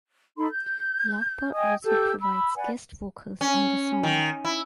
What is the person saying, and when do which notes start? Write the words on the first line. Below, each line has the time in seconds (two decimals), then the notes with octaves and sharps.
Lauper also provides guest vocals on the song.
0.37 D#4 A4 B5 C6
0.50 G6
1.53 D#5 G5 G#5 D#6
1.84 G4 A4 E6 G6
2.20 B5 E6
2.56 B4 D5 F#5 G#5
3.41 C#4
4.03 D#3
4.45 E4